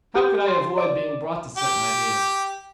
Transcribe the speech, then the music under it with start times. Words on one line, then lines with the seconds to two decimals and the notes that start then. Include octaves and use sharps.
How could I avoid being brought to certain ideas?
0.15 G4
0.48 C6
0.78 D5
1.57 G4